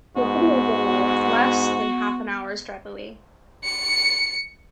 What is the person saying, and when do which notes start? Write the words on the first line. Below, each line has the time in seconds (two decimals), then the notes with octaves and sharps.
The City of Bangor is less than half an hour's drive away.
0.17 G#2 B3 F#4
3.65 C#7